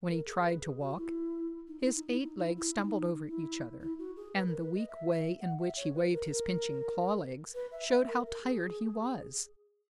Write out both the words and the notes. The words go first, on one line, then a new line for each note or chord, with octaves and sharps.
When he tried to walk, his eight legs stumbled over each other, and the weak way in which he waved his pinching-claw legs showed how tired he was.
A#4
G#4
B4
G#4
F#4
E4
D#4
E4
D#4
E4
D#4
E4
E4
D#4
E4
E4
F#4
G#4
B4
A#4
B4
D#5
E5
F#5
E5
C#5
B4
A#4
A#4
B4
E5
E5
A#4
A#4
G#4